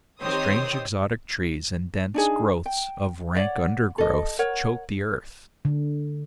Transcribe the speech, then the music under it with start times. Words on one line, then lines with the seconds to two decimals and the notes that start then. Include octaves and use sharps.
Strange exotic trees and dense growths of rank undergrowth choked the earth.
0.21 D#3 C4 G4 C5 C#5 D#6
2.14 D4 D#4 G#4
2.66 G5
3.35 C#5 D5 F#5
3.98 A4 D#5
4.39 A#4 C#5 F#5
5.65 D3